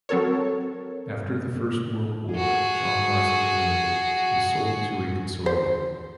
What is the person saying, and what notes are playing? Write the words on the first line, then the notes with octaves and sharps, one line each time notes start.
After the First World War John Marston Limited was sold to a consortium.
F#3 C4 A4 A#4 C#5
F#4 G#4
C5